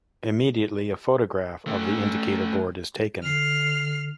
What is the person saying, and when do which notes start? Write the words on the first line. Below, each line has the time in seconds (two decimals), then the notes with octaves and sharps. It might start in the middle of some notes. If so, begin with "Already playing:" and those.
Immediately a photograph of the Indicator Board is taken.
1.67 A3 C#4
3.22 D3 F6 C7